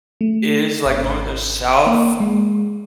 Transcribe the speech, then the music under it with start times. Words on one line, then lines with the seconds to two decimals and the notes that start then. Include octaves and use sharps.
is, like north or south.
0.21 A3
0.85 G#1
1.87 A#3
2.20 G#3